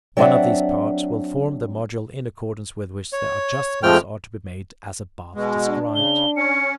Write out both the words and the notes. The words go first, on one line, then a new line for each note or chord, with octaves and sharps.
One of these parts will form the module in accordance with which the adjustments are to be made as above described.
F#3 C4 D4 D5 E5 F#5
C#5
F2 F3 G#3 A3 G5 F6
B2 G#3
D4
C#3 G7
C#4 C#7